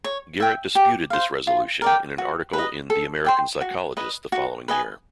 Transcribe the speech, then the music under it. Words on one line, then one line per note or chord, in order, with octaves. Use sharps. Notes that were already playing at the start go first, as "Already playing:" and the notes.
Garrett disputed this resolution in an article in "The American Psychologist" the following year.
C#5
E5 G5
G4
C5 F5
F4
A#4 D5 G5
F#4
B4 D#5
A4
D5 G5 C6
F#4
B4 D#5
F#4
B4 D#5 G#5